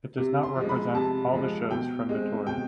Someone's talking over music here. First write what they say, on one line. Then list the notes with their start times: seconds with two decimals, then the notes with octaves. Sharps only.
It does not represent all the shows from the tour.
0.18 C3
0.43 C6
0.56 F3
0.61 G#3
0.69 B5
0.94 C3 A5
1.33 F3 G#3
1.70 B2 G5
2.09 G#3 C4
2.46 B2 G5